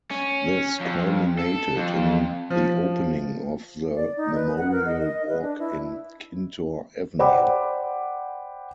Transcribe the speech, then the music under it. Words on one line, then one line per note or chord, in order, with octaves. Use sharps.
This culminated in the opening of the Memorial Walk in Kintore Avenue.
C#4
F2
A4
F2
F3
D5
D#4
B4
F#5
A#4
D#5
D#5
B4
D4
E4
C5 D5 F#5 G5 B5 D6